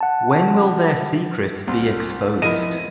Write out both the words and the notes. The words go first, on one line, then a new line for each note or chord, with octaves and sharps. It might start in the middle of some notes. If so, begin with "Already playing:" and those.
When will their secret be exposed?
F#5 A5
C2 C6 F6
F3 B3 E4 A#4 D#5 D#7